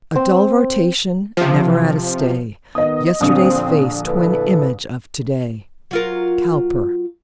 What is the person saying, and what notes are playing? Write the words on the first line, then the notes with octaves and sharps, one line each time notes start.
'A dull rotation, never at a stay, Yesterday's face twin image of to-day.' COWPER.
C4
C3 F3
D#3 B3 D#5 D#6
A#1 D3 C4 D#6
E4 A4 B4
F#3 F4 A#4